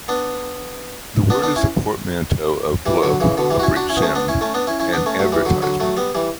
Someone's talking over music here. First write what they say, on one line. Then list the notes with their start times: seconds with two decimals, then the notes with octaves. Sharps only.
The word is a portmanteau of "blip", a brief sound, and "advertisement".
0.08 B3 D4
1.30 B3 D4
1.43 B3 D4
1.56 C#4 E4
2.86 E3 G3
3.03 D3 F#3
3.20 C#3 E3
3.37 B2 D3
3.50 E3 G3
3.59 F#4
3.63 C#4 E4
3.76 D4 F#4
3.89 C#4 E4
3.97 B3
4.02 A3 C#4
4.15 B3 D4
4.28 C#4 E4
4.41 A3 C#4
4.54 B3 D4
4.67 C#4 E4
4.80 C#4 E4
4.93 B3 D4
5.06 A3 C#4
5.19 F#3 A3
5.32 E3 G3
5.45 D3 F#3
5.62 D3 F#3
5.80 F#3 A3
5.97 G3 B3
6.15 E3 G3